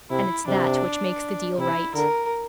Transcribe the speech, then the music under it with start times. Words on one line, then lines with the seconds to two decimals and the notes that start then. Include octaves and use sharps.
And it's that which makes the deal right.
0.10 C3 E4
0.47 C3 D4
1.58 C3 E4
1.95 D3 A#4